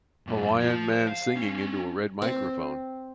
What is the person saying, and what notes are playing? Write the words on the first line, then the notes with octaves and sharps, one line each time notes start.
Hawaiian man singing into a red microphone.
F#2 A#2
F3
C5
F5
C4 C#4
C4